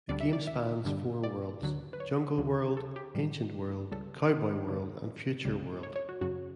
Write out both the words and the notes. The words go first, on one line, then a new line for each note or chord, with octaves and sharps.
The game spans four worlds: Jungle World, Ancient World, Cowboy World, and Future World.
D2 D3 G3 D5
E5
D5
E5
G2 D3 G3
D5
D2 D3 F#3
B4
C#5
D2 D3 F#3
A4
G4
A2 E3 G3
C#2 C#3 G3 A4
E2 D3 F#3
C#2 C#3 G3
C#5
C#5
F#4
F#2 C#3 F#3 F#4